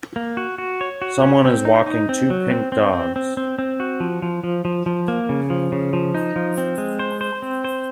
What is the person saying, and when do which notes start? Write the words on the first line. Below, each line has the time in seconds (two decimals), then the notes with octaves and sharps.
Someone is walking two pink dogs.
0.16 A#3
0.37 F#4
0.58 F#4
0.81 C#5
1.02 F#4
1.23 C#4
1.45 C4
1.65 D#4
1.86 D#4
2.09 C4
2.30 F#3
2.51 C4
2.72 C4
2.93 C4
3.16 C4
3.37 C4
3.59 C4
3.80 F#4
4.00 F3
4.22 F3
4.44 F3
4.65 F3
4.86 F3
5.08 A#3
5.29 C#3
5.50 F3
5.72 C#3
5.93 F3
6.15 D#4
6.36 F3
6.58 C4
6.78 G#3
6.99 C5
7.21 C5
7.42 C4
7.64 C5